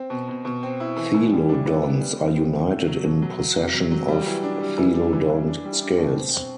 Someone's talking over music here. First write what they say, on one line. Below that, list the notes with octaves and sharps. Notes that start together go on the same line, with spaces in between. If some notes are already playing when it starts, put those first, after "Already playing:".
Thelodonts are united in possession of "thelodont scales".
Already playing: C4
B2
B2
B2
C4
E4
E3
E3
G3
D4
B3
B3
G3
C4
C4
C3
A3
F#3
B2
F#3
F#3
C3
F#3
F#3
G3
E3
D4
G3
E3
D4
E3
E3
D4
G3
D4
B2
C4
C4